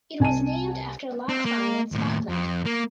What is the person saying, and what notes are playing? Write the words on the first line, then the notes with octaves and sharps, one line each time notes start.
It was named after "Lock Fine" in Scotland.
C2 G#5 A5 D#7
C4
A#3
D#2 A2
F2
A#3